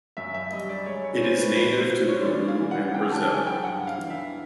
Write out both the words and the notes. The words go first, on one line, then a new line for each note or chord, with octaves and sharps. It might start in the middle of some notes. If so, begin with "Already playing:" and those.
It is native to Peru and Brazil.
F#2 E5
E5
G3 D#5
D5
G#3 C#5
C#5
C#5
B3 C5
B4
F3 B4
C5
A2
C#5
E3 D5
F5
E3
F#5
C#3 G5
A5
F#3 G#5
G5
G2 F#5
F5
E3
E5